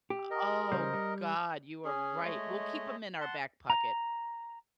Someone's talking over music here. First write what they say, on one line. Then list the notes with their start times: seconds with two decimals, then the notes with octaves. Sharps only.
O oh, god, you are right, we'll keep 'em in our back pocket.
0.10 G4
0.31 A#4 D#5
0.72 C#3 G3 C5
0.93 G3
1.85 C#4 G#4
2.23 G#3 A3 C#5 D#5
3.21 F#5 A5 C6
3.70 A#5